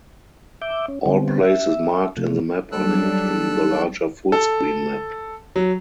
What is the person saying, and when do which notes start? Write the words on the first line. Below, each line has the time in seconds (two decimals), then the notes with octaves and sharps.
All places marked in the map are linked in the larger full screen map.
0.62 E5 D6 G6
0.88 C#4
1.06 D3 G3 B3 C4
1.41 E5
1.93 E5
2.17 C3 F3 A3
2.72 F#3 G3 D4 A4 E6 F#6
4.32 A4
5.56 F#3